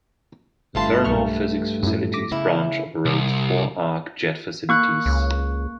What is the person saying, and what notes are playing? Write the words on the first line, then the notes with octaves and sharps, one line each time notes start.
The Thermo-Physics Facilities Branch operates four arc jet facilities.
G1 G2 A3 F4 A5 C6
B1 C#6 F6
F#2 A2
D6 A#6 B6
C#3 E4
C2
A#3 C#6 F#6
C#2